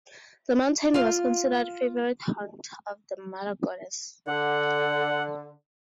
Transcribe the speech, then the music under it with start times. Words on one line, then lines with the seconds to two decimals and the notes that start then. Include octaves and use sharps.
The mountain was considered a favorite haunt of the mother goddess.
0.94 F4 F5
4.27 D3 F#5